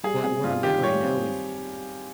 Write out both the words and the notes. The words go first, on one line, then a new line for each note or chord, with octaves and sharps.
But where I'm at right now is
G3 G#4
C4 G#4
G2 F4
D#3 G4
G3 C#5
C4